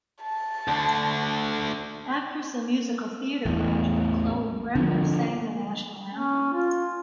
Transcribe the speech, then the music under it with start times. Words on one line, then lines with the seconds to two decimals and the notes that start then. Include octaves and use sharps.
Actress and musical theatre graduate Chloe Bremner sang the national anthem.
0.22 A5
0.68 D2 D3
3.45 A1 E2
4.75 D3 F3
6.12 C#4
6.54 F4